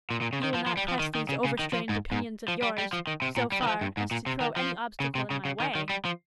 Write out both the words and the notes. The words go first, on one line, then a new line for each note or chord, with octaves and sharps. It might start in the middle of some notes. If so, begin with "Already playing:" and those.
'You will not press these overstrained opinions of yours, so far, as to throw any obstacle in my way?'
A#2
A#2
C#3
D#3
F3
F3
G3
F3
D#3
D#3
C#3
C#3
D#3
F3
G#2
G#2
F3
G3
G3
F3
D#3
C3
A#2
G3
D#3
F3
G2
G#2
A#2
C3
D#3
F3
C#3
C3
C#3
C#3
D#3
D#3
G3
F3